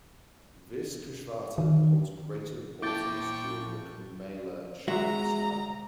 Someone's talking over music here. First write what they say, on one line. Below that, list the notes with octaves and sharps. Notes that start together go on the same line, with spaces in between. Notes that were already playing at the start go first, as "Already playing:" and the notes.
This Kushvarta holds greater importance during the Kumbhmela shahi snan.
D#3
A#2 E4 G5 A5 C#6 D6 G6 A6
G#3 F#4 E5 A#5